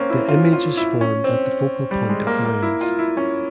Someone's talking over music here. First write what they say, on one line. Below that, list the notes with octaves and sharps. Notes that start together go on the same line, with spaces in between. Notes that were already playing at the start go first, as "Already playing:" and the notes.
The image is formed at the focal point of the lens.
Already playing: A#3 C4 C#4
E4
F4
F4
E4
C#4
C4
G3
G#3
A#3
A#3
E4
F4
E4
C#4